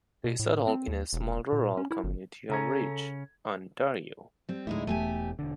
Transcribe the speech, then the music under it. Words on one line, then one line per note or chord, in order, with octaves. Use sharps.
They settled in the small rural community of Reach, Ontario.
B2
A2
C4
D#2
E1
A#2
C#4
E4
G1
C#3 C#4 A4 A#5 G#6
G3 C4
D2 A2 G#3 D#4 E4
E1 E2 A3 G4 G#5
E1 D3